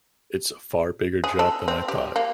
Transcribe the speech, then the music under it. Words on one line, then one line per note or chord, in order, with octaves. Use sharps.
It's a far bigger job than I thought.
G#4
A4
C4
G4
A#3